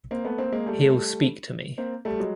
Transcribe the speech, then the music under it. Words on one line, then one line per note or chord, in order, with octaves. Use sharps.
He’ll speak to me.
A#3 C4
A3 B3
A#3 C4
G#3 A#3
G3 A3
A#3 C4
G3 A3
F#3 G#3